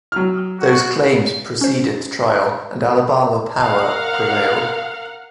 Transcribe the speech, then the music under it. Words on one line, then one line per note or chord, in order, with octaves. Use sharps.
Those claims proceeded to trial, and Alabama Power prevailed.
F#3 F6
F#4
C#4 C5
A#4 F5 F#5 F6